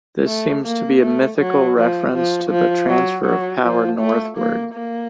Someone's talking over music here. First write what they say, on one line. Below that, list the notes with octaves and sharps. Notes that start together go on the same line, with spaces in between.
This seems to be a mythical reference to the transfer of power northward.
A3
A#3
A3
F#3
F3
F3
F3
F#3
F#3
F3
A3
A#3
A#3